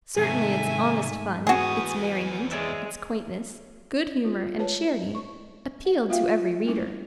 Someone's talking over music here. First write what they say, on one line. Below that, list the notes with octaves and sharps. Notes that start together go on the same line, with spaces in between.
Certainly its honest fun, its merriment, its quaintness, good humor and charity appealed to every reader.
G#2 C3 D#3 A3 E5 G#5
E2 F#4 G#4 B4 C#6 D#6
G#5
G#3 C#5 D5 E5
F4
G#3 B4 C#5 A5
C#6
F#5
A#3 F4 E5 F5 G5
G3 A3 A#3 C#4 D#4 E4